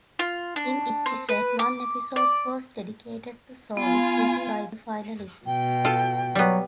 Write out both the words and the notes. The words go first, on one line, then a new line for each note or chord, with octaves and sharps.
In each season, one episode was dedicated to songs written by the finalists.
F4
D4
C4
B4
D6
D5
B3 F4 G#5
B2 G5
F4 A4
F#3 G3 B3